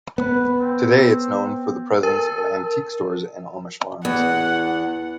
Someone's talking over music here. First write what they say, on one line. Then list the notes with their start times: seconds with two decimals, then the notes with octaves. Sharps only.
Today it is known for the presence of antique stores and Amish farms.
0.18 B3 B4
0.61 C4
2.03 A4 A#4
4.05 E2 F#5